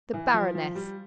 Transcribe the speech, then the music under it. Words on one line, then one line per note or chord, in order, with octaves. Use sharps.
"The Baroness."
E3
F3
F3
G3